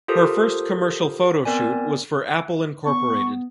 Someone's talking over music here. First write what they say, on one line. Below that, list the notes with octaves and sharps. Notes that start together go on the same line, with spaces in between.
Her first commercial photo shoot was for Apple Inc.
F4 G4 A4 A#4 C5 D#6
B3 C4 A#4 D5 G#5
B3 C#6